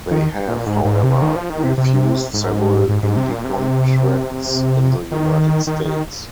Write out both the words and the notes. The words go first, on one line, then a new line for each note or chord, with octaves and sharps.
They have, however, refused several indie contracts in the United States.
D#3
A#2
G#2
G#2
C3
D#3
F3
D#3
C3
C3
G#2
G#2
G#2
C3
A#2
C3
D#3
D#3
D#3